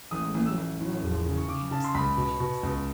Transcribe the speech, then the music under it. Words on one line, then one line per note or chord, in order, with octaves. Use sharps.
The women wore long-eared caps and handkerchiefs.
A1 D#6
A1
E6
A1
A2
E1
C#3
C#6
C#3 D6
C#3 A5
C6
C#2 B5
B2
B2
C#2